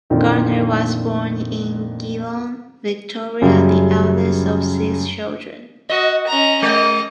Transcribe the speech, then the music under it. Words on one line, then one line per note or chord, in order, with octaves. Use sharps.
Garner was born in Geelong, Victoria, the eldest of six children.
F2 A#2 D3 D#3 E4 F4
F#2 C#3 G3
F#4 D#5
C#4 A#5
G#3 D#5